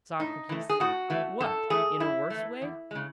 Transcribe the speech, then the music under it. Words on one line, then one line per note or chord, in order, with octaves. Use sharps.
SOCRATES: What, in a worse way?
A2 D#4
E3 A3
G#4
A2 F#4
E3 A3
F#2 A4
E3 A3 G#4
F#2 E4
A3
E3
E2
C#3 G#3